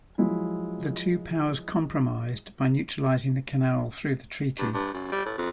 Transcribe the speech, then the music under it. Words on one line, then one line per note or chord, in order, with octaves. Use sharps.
The two powers compromised by neutralizing the canal through the treaty.
F3 F#3 G#3 E4
G2
G2
F#2
G3
A2
F2